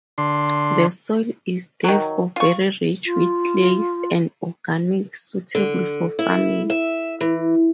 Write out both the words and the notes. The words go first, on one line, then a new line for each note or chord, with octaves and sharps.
The soil is, therefore, very rich with clays and organics, suitable for farming.
D3 C6
D#3 F#3
F4 C#6
F4
D3
E4
E5
E3